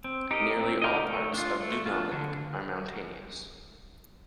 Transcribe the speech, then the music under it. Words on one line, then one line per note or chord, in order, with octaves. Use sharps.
Nearly all parts of Dumalneg are mountainous.
C4
D#4 G4 A#4 D#5
C4
D#4 G4 A#4 D#5
A3
D4 F4
A3
D4 F4
D3